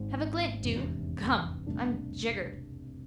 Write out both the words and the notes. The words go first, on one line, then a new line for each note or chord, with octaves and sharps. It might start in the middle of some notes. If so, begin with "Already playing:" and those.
Have a glint, do. Gum, I'm jiggered.
Already playing: G#1 G#2 G#3 C4
F1 E2 C3 G#3 D4
C2 B2 A3 D4